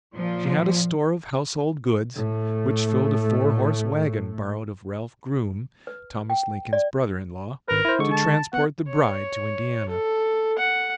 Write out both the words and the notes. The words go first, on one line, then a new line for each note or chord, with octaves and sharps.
She had a store of household goods which filled a four-horse wagon borrowed of Ralph Grume, Thomas Lincoln's brother-in-law, to transport the bride to Indiana.
A#2 F3
A2 A3
B4
G5
D5
G#1 A#4 B4
E4 C5
D3 G#3 C#6
A5
B3 F#5
C#5
A4
F#5